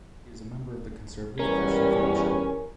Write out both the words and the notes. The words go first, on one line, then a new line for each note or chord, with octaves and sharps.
She is a member of the Conservative Christian Fellowship.
E2 G3 C#4 A#4